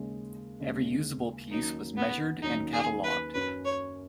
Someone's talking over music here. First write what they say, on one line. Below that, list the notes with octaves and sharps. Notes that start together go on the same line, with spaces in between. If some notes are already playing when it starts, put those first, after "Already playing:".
Every usable piece was measured and catalogued.
Already playing: D#2 C#3 G#3 C#4
D#2 C#3 G#3 C#4
D#2 D#3 F#3 C#4 D#4
B3
D#2 D#3 F#3 C#4 D#4
G#4
B4
F#2 F#3 C#4 B4
C#5